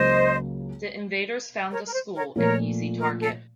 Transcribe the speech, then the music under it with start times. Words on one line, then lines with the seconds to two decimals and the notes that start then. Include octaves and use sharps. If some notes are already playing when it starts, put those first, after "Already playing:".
The invaders found the school an easy target.
Already playing: C#2 C#3 F#3 A#3 C5 D#5
1.71 A#4 C#5
1.86 A#4
1.92 C5
2.13 A#4 C#5
2.35 A#2 F3 A3 A#4 C#5
2.99 A#4
3.21 A4